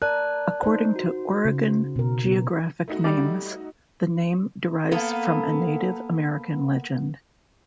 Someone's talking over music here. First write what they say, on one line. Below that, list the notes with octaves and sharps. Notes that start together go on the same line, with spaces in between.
According to "Oregon Geographic Names", the name derives from a Native American legend.
A#4 D5 A5 F#6
D#4 C5
F#4
C#3
B2 A#4
B3
A3 D#4 F#4
G3 D5
A#3 B3 A4